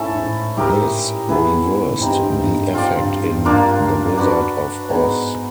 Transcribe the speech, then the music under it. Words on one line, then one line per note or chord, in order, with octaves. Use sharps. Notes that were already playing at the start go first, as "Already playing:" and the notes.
This reversed the effect in "The Wizard of Oz".
Already playing: G#2 A3 C#4 E4 A4
G#2
A2
G#2 E4 G4 A#4 D#5
B3 E4 G#4 B4
G#2
G2 C4 D#4 G4
G#2
G2
G#2
G#2 C4 F4 A4 D5
G2
G#2
G2 A#3 D4 F4 A#4
D4 F#4 B4
G#2 B3 D#4 G#4